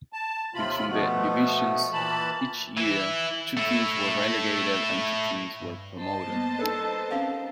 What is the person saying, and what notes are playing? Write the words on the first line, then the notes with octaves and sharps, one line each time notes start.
Between the divisions each year two teams were relegated and two teams were promoted.
A5
D#2 C3 F4 B5
B2 F3 A3 B3
A#2 E3 A5 B5
E3 E4
A3 E4
G2
C5 D#5 A5
G3 A#3 B3
D#4 A4 B4
C4 C#4 G4 A#4 F5 F#5